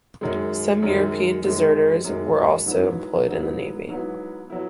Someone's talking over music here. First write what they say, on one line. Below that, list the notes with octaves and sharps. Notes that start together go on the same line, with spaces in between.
Some European deserters were also employed in the navy.
F#2 D#3 G#3
F#2 D#3 G#3
F#2 D#3 G#3
F#2 D#3 G#3
G#2 F#3 B3 E4
G#2 F#3 B3 E4
G#2 F#3 B3 E4
F#3 B3 E4